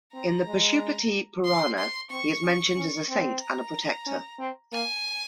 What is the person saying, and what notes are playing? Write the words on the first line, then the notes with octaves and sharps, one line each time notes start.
In the "Pashupati Purana", he is mentioned as a saint and a protector.
C4 A#5
G#3
C6
C6
C4 C#6
C#4
C#4
C4
A#5
C#4
C4
A#3 G#5